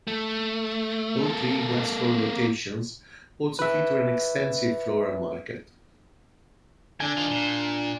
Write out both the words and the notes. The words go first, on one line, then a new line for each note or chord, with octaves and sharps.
All three Westborn locations also feature an extensive floral market.
A3
A#3 A4
B4 E5
D3 D4 G#5
D#3 F4
A#2